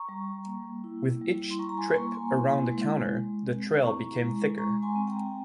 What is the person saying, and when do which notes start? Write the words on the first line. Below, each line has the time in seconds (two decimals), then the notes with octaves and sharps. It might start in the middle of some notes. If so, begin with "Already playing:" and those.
With each trip around the counter, the trail became thicker.
Already playing: A#5 C#6
0.09 G3
0.46 A#3
0.84 E4
1.21 G3
1.50 C6
1.59 G3 A#5 C#6
1.69 A#5
1.77 G#5 C6
1.96 A#3 A#5 C#6
2.14 G#5 C6
2.33 E4
2.72 G#3
3.09 G#3
3.47 C4
3.83 E4 A#5 C#6
4.21 G#3
4.58 G#3 A#5 C#6
4.83 G#5 C6
4.96 C4
5.07 G5 A#5